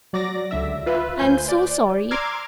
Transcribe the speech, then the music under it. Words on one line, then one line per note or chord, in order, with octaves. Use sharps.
I'm so sorry.
F#3 D5 D6 A#6
C#2 D3 E5
F4 B4 E5
D2 C5 G#5 G6
D5
A#5 C6 D6 E6 F6 G#6